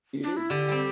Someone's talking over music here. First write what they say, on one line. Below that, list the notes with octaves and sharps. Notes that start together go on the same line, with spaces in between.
It is.
D4
E4
D3 G4
G3 C4